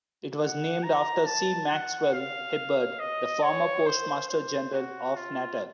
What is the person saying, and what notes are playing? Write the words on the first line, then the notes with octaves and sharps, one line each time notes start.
It was named after C. Maxwell-Hibberd, the former postmaster-general of Natal.
F#5
A#5
A5
F#5
F5
D#5
C#5
C5
C5
F#4
F4